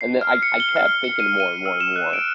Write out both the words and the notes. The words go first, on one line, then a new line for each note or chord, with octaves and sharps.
And then I I kept thinking more and more and more,
C7
F6
C#7
G7
F6
C#7
D#7
D#7
E6
E7
F#6
D7